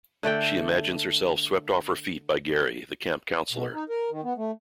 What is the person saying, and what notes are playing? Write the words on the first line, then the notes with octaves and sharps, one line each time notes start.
She imagines herself swept off her feet by Gary, the camp counselor.
D3 A3 D5 G5
B2
D#4
A#4
D#3
B3
A3